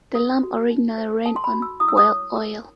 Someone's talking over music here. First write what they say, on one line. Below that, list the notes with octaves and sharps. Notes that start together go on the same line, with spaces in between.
The lamp originally ran on whale oil.
A4
F#4
D#4
C5
A4 A5
C6
B5
F#4
E6
E4 D#6
E6
D#6
C#5
A#4